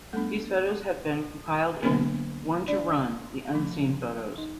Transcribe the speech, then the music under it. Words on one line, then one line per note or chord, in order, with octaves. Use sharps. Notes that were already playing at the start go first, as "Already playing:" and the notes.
These photos have been compiled in "Born to Run: The Unseen Photos".
G3 A3 B3 D4 A4
D3 F#3 A#3 B3 D4 A#4
D4 D5
F3 A3 D4
D#4 D#5